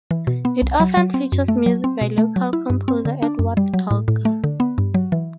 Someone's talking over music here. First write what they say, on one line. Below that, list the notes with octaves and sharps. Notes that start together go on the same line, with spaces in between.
It often features music by local composer Edward Elgar.
E3
B2
B3
C2
F#3
F#3
C4
F#2
A3
F#3
C4
B2
A3
F#3
E4
G2
C4
D3
D4
F#2
G3
F#3
A2
A2
A3
D3
B3
G2
F#3
E3